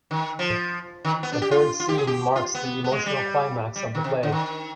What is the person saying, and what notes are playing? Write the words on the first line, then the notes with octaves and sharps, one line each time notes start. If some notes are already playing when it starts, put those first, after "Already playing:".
The third scene marks the emotional climax of the play.
D#3
F3
D#3
B3
D4
G4
F4
F4
G4
G#4
G4
F4
B3
B3
G#3
G3
G3
D#3
C3
D3
D#3